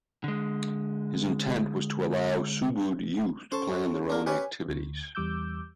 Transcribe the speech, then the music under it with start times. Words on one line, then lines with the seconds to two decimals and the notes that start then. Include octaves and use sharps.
His intent was to allow Subud youth to plan their own activities.
0.24 D3 G#3
3.52 C#4 A4 C5 A5 C#6
4.10 A#3 D4
4.27 C#4 G4 B4 G#5
4.68 D2
5.15 E2 G3 D6 E6 G6